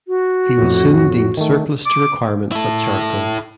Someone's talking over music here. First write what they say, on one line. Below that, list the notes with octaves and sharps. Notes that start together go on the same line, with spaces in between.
He was soon deemed surplus to requirements at Charlton.
F#4
F2 A2
D#3 A3
D6
E4 A4